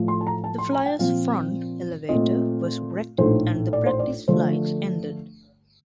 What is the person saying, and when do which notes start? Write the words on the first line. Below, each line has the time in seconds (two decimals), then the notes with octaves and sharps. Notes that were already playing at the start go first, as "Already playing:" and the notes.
The Flyer's front elevator was wrecked and the practice flights ended.
Already playing: A2 F3 A3
0.08 C6
0.21 A5
0.27 A#5
0.44 A5
0.58 C6
0.72 A#5
0.86 G5
0.99 A#2 F3 C4 F5
2.09 A#2 A3 C4 F4 D#5
3.18 A#1 A2 A3 D#4 C5
3.73 D5
3.86 C5
3.99 D5
4.28 D3 F3 A3 C5